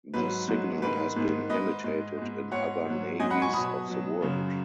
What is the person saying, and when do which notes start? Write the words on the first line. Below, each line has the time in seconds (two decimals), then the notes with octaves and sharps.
The signal has been imitated in other navies of the world.
0.14 G#2 F#3 B4
0.48 G#2 F#3
0.82 G#2 D#3 G#3 B4
1.16 G#2 D#3 G#3
1.49 G#2 G#3 B4 D#5
1.84 G#2 G#3
2.18 G#2 G#3
2.52 G#2 G#3 C#5 F#5
2.85 G#2 F#3
3.20 G#2 F#3 D#5 G#5
3.30 F#5 B5
3.42 G#5 C#6
3.53 B2 F#3 B5 D#6
3.87 B2 F#3
4.21 F#2 C#3 F#3